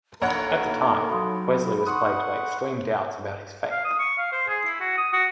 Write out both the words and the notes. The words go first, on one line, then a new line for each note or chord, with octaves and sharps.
At the time, Wesley was plagued by extreme doubts about his faith.
A#1 A#3 D#4 A4 A#4 C#5 F#5 B5
F#3 F5 C6 D#6
F#5 C6 C#6 D#6
F5
D#6
C#6
F5
C5
G#4
E4
F#4
D#6
F#4